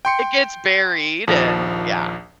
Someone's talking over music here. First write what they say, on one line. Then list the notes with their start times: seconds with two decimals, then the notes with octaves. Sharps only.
It gets buried and yeah.
0.05 G5 C6 C#7
1.28 A#1 D#2 F3